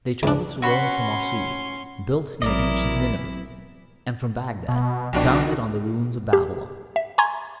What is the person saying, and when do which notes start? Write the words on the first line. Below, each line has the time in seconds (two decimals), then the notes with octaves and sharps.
They traveled to Rome from Mossul, built near ancient Nineveh, and from Bagdad, founded on the ruins of Babylon.
0.23 C#2 D4
0.62 C#4 F#4 C#5 B5 C6
2.42 A#1 C3 E3 F#3 E4 A#4 D5 D#5
4.68 B2
5.13 C2 F2 B2 D3 D4 D#4 F#4
6.33 G4
6.96 E5
7.18 G#5 A#5 C6 C#6 G#6